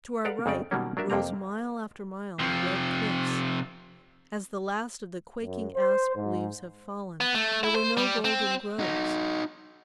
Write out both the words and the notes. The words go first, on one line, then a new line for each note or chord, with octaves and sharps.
To our right rose mile after mile of red cliffs. As the last of the quaking asp leaves have fallen, there were no golden groves.
A4 B4 D5 F5 F#5 A#5
F2 C#3 C4 D5
B2 D#3 F#3 G3 A#3 C#4
F#3 D4 A#4 E5
F2 C3 A#3 C4 A#5
C3 F3
F#2
C5
G#2
B3
A3
E4
C5
G3
C4
D#4 F#4